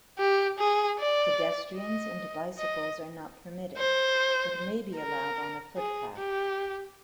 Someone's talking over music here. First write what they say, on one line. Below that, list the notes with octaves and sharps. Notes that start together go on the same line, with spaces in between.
Pedestrians and bicycles are not permitted, but may be allowed on a footpath.
G4
G#4
D5
D#5
D#5
C5
A#4
G#4
G4